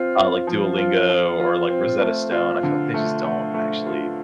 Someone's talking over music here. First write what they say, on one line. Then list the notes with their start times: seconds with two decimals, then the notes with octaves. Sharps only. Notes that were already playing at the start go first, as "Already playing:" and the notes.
uh, like Duolingo or, like, Rosetta Stone, I feel like they just don't actually
Already playing: C4 F4
0.17 F4
0.47 F3
0.78 F4
1.09 F3
1.40 F4
1.70 C4
2.01 A3
2.31 F4
2.63 D3
2.94 A3
3.24 A3
3.54 A3
3.86 F4